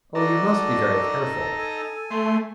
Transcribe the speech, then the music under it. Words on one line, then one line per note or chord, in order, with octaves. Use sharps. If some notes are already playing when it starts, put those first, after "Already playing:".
'Oh! you must be very careful.
D#4 F#4 A4 D5 A5 A#5
G#5
A3 C6